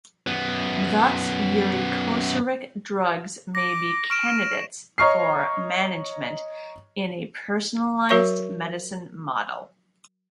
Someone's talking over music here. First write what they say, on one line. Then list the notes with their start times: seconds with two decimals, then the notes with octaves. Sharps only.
Thus, uricosuric drugs may be candidates for management in a personalized medicine model.
0.27 F#2 B3
3.55 D6 A#6
4.10 C#6 F6 D7 E7
4.98 C#5 D#5 A#5 C#6 F6 C7
8.09 F#3 F#4 A#4 C#5 E5 C#6